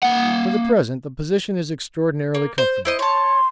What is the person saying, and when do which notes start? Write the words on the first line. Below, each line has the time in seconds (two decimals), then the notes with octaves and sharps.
For the present the position is extraordinarily comfortable.
0.03 A#3 F#5
2.34 A#3
2.58 C5
2.85 E4 C5 D#5
2.99 C#5 A5 C6